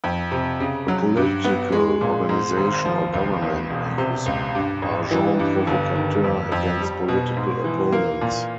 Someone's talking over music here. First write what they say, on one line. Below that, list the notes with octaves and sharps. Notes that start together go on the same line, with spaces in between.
A political organization or government may use agents provocateurs against political opponents.
F2
C3
C#3
F#3
G2
B3
G#3
A#2
G#2
G#1
F3
C#2
E2
E1
C3
C#2
G2
A1
E3
G2
G1
D#3
F2
F2
G3
B2
G#2
E3
A#3
A#2